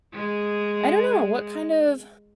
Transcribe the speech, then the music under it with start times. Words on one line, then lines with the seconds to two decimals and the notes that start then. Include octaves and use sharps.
I don't know, what kind of
0.12 G#3 G#4